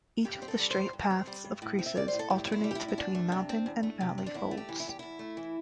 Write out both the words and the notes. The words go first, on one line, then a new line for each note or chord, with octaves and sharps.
Each of the straight paths of creases alternates between mountain and valley folds.
G2 G4
C4 C5
A4
G3
C5
G2
G2
C4
G3
G2
A2
C4
E5
G3 D5
A2 C5
A4
A2 G4
C4 E4
G3
G4
E4
A2
E4
E2 D4
A3
C3
C4
E2
A3
C3
C4
D4
E2 E4
A3
G4
E3
E4
E2 G4
E2 E4
A3
E3